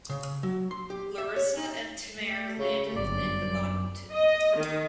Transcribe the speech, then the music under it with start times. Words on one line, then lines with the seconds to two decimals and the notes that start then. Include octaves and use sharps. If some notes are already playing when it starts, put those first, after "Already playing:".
Larissa and Tamara landed in the bottom two.
0.09 C#3
0.43 F#3
0.71 C6
0.90 G4
1.18 E5
1.36 C#5
1.57 D#4
2.18 A3
2.59 C#3
2.96 G1 F#2 D5
3.43 F#2
4.11 D#5
4.57 D#3